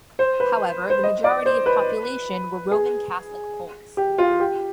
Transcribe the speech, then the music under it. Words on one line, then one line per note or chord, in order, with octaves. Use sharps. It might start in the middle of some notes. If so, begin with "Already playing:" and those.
However, the majority of population were Roman Catholic Poles.
C5
B4
C5
D#5
D5
C5
B4
G#4
G4
F4
G4